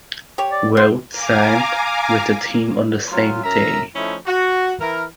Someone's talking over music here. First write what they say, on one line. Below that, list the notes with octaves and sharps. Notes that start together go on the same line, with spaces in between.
Routt signed with the team on the same day.
G4 C#5
D5
F4 C5
F5 G#5 A#5 D6
F#3 C#4 F4
F#2 A#4 E5 A#5
F3 A3 C#4 D#4 E4
F#4
E3 E4 A#4